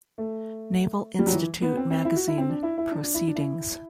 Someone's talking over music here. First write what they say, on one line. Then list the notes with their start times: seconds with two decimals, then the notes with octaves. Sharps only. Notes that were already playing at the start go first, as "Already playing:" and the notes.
Naval Institute magazine "Proceedings".
0.18 A3
1.19 G3
1.27 F#3
1.33 E3
1.62 B3
1.77 C4
1.90 C4
2.05 E4
2.16 F#4
2.28 E4
2.38 C4
2.49 D4
2.63 E4
2.78 E4
2.91 D4
3.03 D4
3.14 E4
3.28 D4
3.35 E4